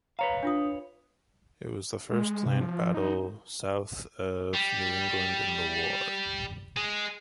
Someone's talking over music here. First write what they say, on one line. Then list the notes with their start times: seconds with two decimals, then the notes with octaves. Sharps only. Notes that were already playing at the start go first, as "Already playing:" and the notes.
It was the first land battle south of New England in the war.
0.19 B4 C#5 F5 A#5
0.43 D4 F4 D#6
2.11 G#3
2.46 C3
2.61 F3
2.94 D#4
4.54 G3
6.77 G#3 G#4